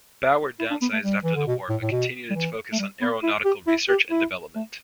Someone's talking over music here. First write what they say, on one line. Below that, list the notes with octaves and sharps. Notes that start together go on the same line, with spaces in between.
BuAer downsized after the war, but continued its focus on aeronautical research and development.
E4
D4
B3
A3
G3
E3
D3
B2
A2
A2
B2
G3
E3
A3
G3
B3
E4
G4
E4
G4
E4
A3